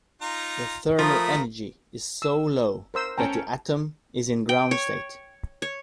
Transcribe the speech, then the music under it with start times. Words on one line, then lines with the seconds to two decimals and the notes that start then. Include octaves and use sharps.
The thermal energy is so low that the atom is in ground state.
0.22 D#4 F4 A#5
0.99 F3 A3 F4 A#4 B5 D#6
2.22 E6
2.94 A#4 C5 E6
3.18 C#4 G5 A5 A#5
4.49 G5
4.71 C#5
5.62 C#5